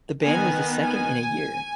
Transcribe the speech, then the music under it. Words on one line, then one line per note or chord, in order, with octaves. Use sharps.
The ban was the second in a year.
D#3 B3 G#5
G#5